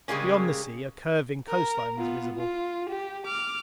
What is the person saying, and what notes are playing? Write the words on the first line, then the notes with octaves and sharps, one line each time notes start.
Beyond the sea, a curving coastline was visible.
C#3 G3 G#3 A#3 C#4
A#4
B3 F4
F4
G4
D6 F6